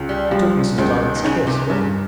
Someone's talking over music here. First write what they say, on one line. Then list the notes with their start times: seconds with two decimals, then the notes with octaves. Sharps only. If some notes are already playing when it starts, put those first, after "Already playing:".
He took Mrs. Darling's kiss with him.
Already playing: C#2
0.09 G3
0.31 F3 G3
0.78 C#2 D#3
1.15 D#3
1.23 C#3 D#4
1.47 C3
1.70 G2 C#3